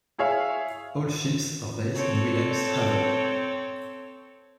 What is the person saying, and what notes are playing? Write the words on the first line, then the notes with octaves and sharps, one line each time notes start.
All ships are based in Wilhelmshaven.
E4 G#4 C#5 E5 F5
C4 A4 C#5